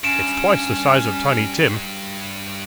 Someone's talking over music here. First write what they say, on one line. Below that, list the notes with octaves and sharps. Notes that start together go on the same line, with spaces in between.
It's twice the size of Tiny Tim.
G2 C#4 D7 E7